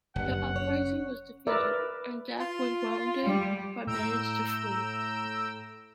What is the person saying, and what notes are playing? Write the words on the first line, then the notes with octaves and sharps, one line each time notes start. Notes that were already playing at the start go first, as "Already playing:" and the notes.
The uprising was defeated, and Dacke was wounded but managed to flee.
F#1 G2 F#5
C#4 C#5
A#4 B4 D5 E5
F4
G3
A2 A#5 E6 G6 D7